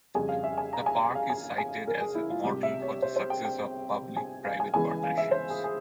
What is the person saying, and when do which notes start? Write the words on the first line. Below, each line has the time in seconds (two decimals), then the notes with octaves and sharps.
The park is cited as a model for the success of public-private partnerships.
0.14 F2 C#3 G3 G#5
0.29 F5
0.44 E5
0.58 G#5
0.73 A#5
0.86 G#5
1.15 F5
1.30 G#5
1.58 G#5
1.88 A#4
2.01 G#4
2.15 E4
2.30 F4
2.44 C2 C3 G3 G4
2.63 E5
2.82 C#5
3.02 C5
3.16 C5
3.30 G5
3.45 G5
4.16 G#5
4.45 F5
4.60 G#5
4.74 E2 C#3 E3 G#3 G#5
5.03 F5
5.18 E5
5.31 C5
5.50 G#4
5.64 G#4